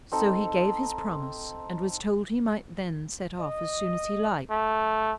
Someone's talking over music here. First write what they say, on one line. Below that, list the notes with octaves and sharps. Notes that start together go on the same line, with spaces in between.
So he gave his promise, and was told he might then set off as soon as he liked.
C4 D#4 A4
D#5
A3